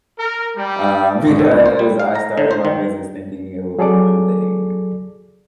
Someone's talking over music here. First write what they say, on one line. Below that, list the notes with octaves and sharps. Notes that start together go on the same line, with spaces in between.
Um, because I started my business thinking it will be one thing.
A#4
G3
G#1
A2
C#2
C5
G3
F5
A#5
D3
C5
D#3
F#3 G#4 A4 D5 D6